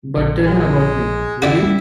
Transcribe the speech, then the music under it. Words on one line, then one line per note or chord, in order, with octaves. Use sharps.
But tell him about me, will you?
A#1
G#3
E4 F#4 D5 G5
G3 C#4